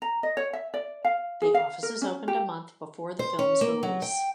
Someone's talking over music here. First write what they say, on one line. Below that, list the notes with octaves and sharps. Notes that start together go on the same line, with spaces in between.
The offices opened a month before the film's release.
A#5
D#5
C#5
E5
D5
F5
G#4
F5
A#4
C#4
G4
C5
C#4
A#3
F#3
G5